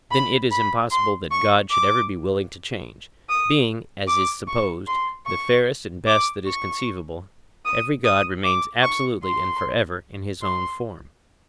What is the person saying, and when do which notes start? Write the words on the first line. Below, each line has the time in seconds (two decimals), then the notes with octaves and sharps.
Then it is impossible that God should ever be willing to change; being, as is supposed, the fairest and best that is conceivable, every God remains absolutely and for ever in his own form.
0.11 B5
0.51 B5
0.91 C6
1.31 C#6
1.71 D6
3.29 D#6
4.07 D6
4.48 C#6
4.87 C6
5.26 C#6
6.06 D6
6.46 C#6
7.65 D#6
8.04 D#6
8.44 D6
8.83 C#6
9.24 C6
10.42 C6